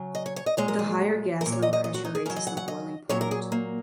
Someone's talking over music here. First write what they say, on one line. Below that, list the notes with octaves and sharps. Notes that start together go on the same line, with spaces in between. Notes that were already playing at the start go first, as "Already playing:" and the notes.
The higher gasoline pressure raises the boiling point.
Already playing: C#3 F#3
D#5
C#5
C#5
D#5
A#2 G#3 C#5
A#4
G#4
A#2 F#3 A#4
C#5
D#5
D#5
D#5
F#4
D#4
G#4
C#3 F#3 A#4
D#5
F#5
F#5
D#5
A#2 F#3 C#5
A#4
G#4
A#3